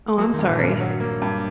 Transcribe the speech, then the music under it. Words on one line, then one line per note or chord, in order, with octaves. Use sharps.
Oh, I'm sorry.
F#3 A#3
D#3
G2
A#2
G2
A#2
F#3
A#3
G2